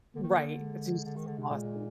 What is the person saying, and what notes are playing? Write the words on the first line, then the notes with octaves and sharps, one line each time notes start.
Right, I jus exhausting.
D3 A#3
D#3
D3
G#3
D3
D#3
D3
C3
A#2 G#3